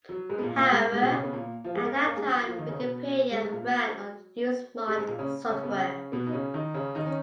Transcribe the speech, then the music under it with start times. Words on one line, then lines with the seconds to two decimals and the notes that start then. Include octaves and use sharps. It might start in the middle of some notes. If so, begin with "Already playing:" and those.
However, at that time, Wikipedia ran on UseMod software.
0.09 F#3
0.30 G#2 G#3
0.38 B3
0.43 A#2 A#3
0.57 A#2 A#3
0.71 G#2 G#3
0.92 G#2 G#3
1.02 B2 B3
1.13 C#3 C#4
1.23 B3
1.33 A#2 A#3
1.64 F3 F4
1.75 G#3 G#4
1.85 A#3 A#4
1.95 C#4 C#5
2.06 A#3 A#4
2.16 G#3 G#4
2.27 F#3 F#4
2.41 F#4
2.47 F3 F4
2.58 D#3 D#4
2.69 C#3 C#4
2.79 B2 B3
3.31 G#2 G#3
3.42 G#2 G#3
3.52 A#2 A#3
3.63 F#3
4.87 G#2 G#3
4.98 G#2 G#3
5.08 A#2 A#3
5.19 C#3 C#4
5.50 C#3 C#4
5.64 B3
5.70 C#3 C#4
6.12 B2 B3
6.27 D#4
6.33 C#3 C#4
6.54 D#3 D#4
6.74 C#3 C#4
6.95 D#3 D#4
7.06 C#4